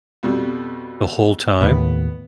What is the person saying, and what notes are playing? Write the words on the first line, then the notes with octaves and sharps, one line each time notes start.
The whole time?
F2 B2 G3
D#2 A2 B3